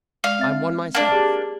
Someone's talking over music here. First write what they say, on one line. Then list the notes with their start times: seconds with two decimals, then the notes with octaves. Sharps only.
"I'm one myself."
0.24 G#3 D5 F5
0.39 C4 E5 A6
0.95 A#3 D4
1.12 G4 G#4